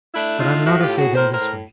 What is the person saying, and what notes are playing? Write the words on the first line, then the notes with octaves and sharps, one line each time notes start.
But I'm not afraid in this way.
A3 D4 E4
A2 D#4 F4
A2 E4 F#4
F4 G4
A2
F#4 G#4
A2 A#4 C5
A#4 C5
A2